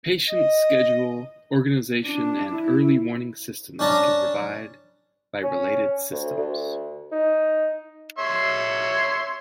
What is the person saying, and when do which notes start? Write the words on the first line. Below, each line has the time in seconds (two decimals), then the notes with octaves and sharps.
Patient schedule organization and early warning systems can provide by related systems.
0.28 D#5
2.05 D4
2.53 E4
3.79 C#4 D4 A5 A#5
5.43 C#4
6.11 D2
6.37 D2
7.12 D#4
8.18 C#5 E5 C6